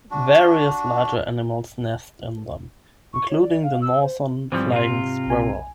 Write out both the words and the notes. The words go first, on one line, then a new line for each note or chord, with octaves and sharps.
Various larger animals nest in them, including the northern flying squirrel.
D4 F#4
C#6
C#5
D5
F5
E6
C5
G#2 E3 F3 G3 C4
C3 F4
B1 G#5